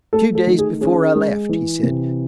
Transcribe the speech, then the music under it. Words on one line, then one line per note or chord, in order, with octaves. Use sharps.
"Two days before I left," he said.
A3 A4
A4
D#3
G#4
C#4 G#4
G#3
E3
C3